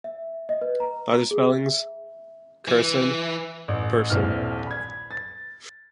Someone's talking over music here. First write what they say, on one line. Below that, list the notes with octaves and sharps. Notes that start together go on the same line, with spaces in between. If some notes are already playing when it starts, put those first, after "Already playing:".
"Other spellings": Curson, Pursan.
E5
D#5
B4
A#5
G#4
E5
E3
A1
D#1 A#1 C4 E4 F6
B5 G#6
A6